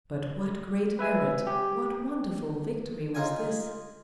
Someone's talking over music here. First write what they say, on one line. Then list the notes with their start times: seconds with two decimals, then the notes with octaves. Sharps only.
But what great merit, what wonderful victory was this?
0.99 B4 E5 G#5
1.47 G4
3.15 D#4 F4 G#5